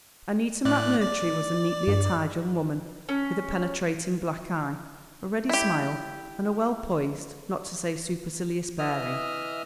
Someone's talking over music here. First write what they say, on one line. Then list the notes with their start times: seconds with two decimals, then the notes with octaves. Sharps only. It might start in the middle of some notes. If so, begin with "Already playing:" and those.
Annita McMurtry was a neatly attired young woman, with a penetrating black eye, a ready smile and a well-poised, not to say supercilious bearing.
0.65 A2 D5 F#6
1.01 D5
1.87 G2
3.09 C#4
5.49 E4 G4
8.79 E3 D#5 E5 D#6 F6